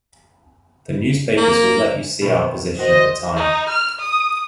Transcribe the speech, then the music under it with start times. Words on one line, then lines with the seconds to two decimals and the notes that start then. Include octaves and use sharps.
The newspapers will let you see our position at the time.
1.37 A#3
2.21 B2 D#3
2.79 F#4 C5 D#5
3.36 D#4
3.69 F6
3.99 D#6